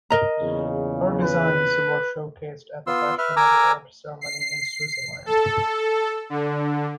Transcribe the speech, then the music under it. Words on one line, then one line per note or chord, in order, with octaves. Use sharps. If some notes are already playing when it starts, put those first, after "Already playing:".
Her designs were showcased at the Fashion Awards Ceremony in Switzerland.
A#4 D#5 A#5
E2 A#2 C#3
B4
B3 F4 C6 E6
B4 E5 F6
A#4 G#5 A#5 D6 E6
C7
A4
D3